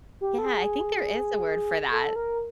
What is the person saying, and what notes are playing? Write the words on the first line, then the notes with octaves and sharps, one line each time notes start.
Yeah. I think there is a word for that.
G4
A4
G#4
A4
A#4